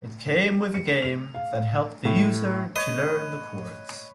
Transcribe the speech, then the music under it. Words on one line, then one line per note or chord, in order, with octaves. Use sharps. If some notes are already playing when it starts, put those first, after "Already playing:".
It came with a game that helped the user to learn the chords.
C#7
F7
F5
A2
B4 C#5 D#5